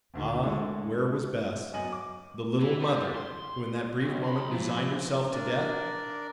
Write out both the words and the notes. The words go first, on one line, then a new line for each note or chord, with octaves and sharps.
Ah, where was Bess, the "little mother," who in that brief moment resigned herself to death?
F#1 D2 D#3
D#3 G#3 A3 D4 E4 D5
F#2 B3 D#5 G#5 D#7 F#7
D6
E3
E3 G3
C6
B1
B5 C6
F3 E4
D4 A#4 D5